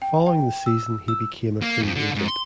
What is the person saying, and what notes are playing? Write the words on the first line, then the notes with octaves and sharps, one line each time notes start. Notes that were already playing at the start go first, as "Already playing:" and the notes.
Following the season, he became a free agent.
G5
G5
E6
E6
A#3
F2
D3
G#2
C6